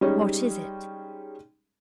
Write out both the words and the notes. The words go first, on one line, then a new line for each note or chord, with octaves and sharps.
"What is it?"
G3 G#3 C#4 D#4